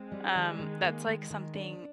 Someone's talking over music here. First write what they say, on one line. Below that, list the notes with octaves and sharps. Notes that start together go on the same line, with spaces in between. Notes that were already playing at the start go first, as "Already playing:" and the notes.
Um, that's, like, something
Already playing: G#3 C4
G3
D#3
D#3
A#3
D#3
D#3
D4